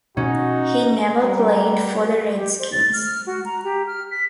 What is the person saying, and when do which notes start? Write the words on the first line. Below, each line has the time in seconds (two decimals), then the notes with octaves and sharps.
He never played for the Redskins.
0.17 B2 C#4 D#4 F#4
1.22 G3 A#4 B4 F#5
2.35 G4
2.59 C5
2.72 A6
2.93 F6
3.26 F#4
3.45 A#5
3.64 G4
3.87 F6
4.11 B6